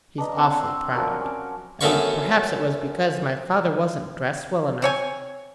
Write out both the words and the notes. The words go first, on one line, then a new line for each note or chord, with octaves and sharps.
He's awfully proud; and perhaps it was because my father wasn't dressed well enough.
D4 B4 D#5 A#5
C4 D4 C#5 F#5
C5 C6 E6
F3 F#3 A#4 D5
C#4 D6
F#2 A3 B3 F5 B5 C#6
C4 C#5 G#5